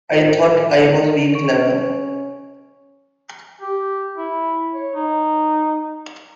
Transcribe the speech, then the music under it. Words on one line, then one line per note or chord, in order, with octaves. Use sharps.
I thought I was being clever.
A2 F4 C5
C#4 C#6 D7
G4
E4
C#5
D#4